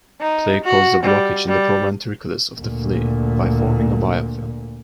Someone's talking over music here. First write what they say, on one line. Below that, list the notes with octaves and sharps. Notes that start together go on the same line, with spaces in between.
Plague causes a blockage in the proventriculus of the flea by forming a biofilm.
D#4
F#4
G3
G3
D2 A#2